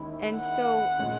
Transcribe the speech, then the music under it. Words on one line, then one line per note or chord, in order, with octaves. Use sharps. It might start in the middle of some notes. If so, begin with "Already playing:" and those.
And, so
Already playing: D#2 D#3 G#3 C#4 E4
F#5
A#2 G#3 C#4